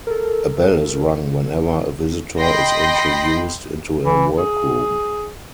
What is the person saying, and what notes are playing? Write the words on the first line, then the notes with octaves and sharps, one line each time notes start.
A bell is rung whenever a visitor is introduced into a workroom.
A4 A#4
D#5 G5 B5 C6 A#6 C7
E3
G#4